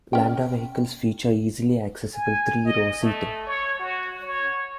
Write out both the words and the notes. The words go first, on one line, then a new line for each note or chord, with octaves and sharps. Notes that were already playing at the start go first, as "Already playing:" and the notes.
Lambda vehicles feature easily accessible three-row seating.
C#4 G5
G#5
D#5
A3
C#5
F#4
C#5